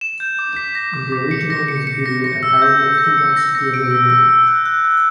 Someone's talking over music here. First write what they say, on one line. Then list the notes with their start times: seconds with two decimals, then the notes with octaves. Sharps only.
In the original music video, a parody of Who Wants to Be a Millionaire?
0.01 E7
0.20 G6
0.39 D6
0.56 B6
0.75 A#6
0.94 D6
1.12 D6
1.31 C#7
1.50 A#6
1.68 C#7
1.87 C#7
2.06 A#6
2.24 A#6
2.43 E6
2.62 G6
2.80 G6
2.98 A#6
3.18 C#7
3.36 A#6
3.55 A#6
3.74 D7
3.91 E6
4.10 E6
4.29 E6
4.47 F#6
4.66 F#6
4.85 F#6